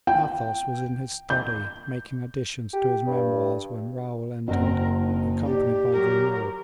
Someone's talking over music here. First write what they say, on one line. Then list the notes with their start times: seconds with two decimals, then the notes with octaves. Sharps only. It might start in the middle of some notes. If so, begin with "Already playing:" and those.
Athos was in his study, making additions to his memoirs, when Raoul entered, accompanied by Grimaud.
0.07 G5
1.30 G6
2.73 G4
3.07 G2
4.48 F#1 C4 A#4 F#5
5.00 D#4
5.46 G4 D5
5.93 F#3 A#4